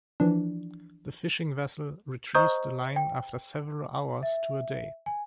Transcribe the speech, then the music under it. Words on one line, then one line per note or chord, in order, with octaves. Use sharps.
The fishing vessel retrieves the line after several hours to a day.
E3 F3 D4
C5 D#5 A#5 C#6 D#6 G6
G5
E5
G#5